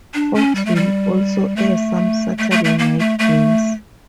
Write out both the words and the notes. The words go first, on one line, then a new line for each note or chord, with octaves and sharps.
Fox will also air some Saturday night games.
D4
C#4
G3
A3
G3
A3
A3
A3
A3
A#3
A3
A3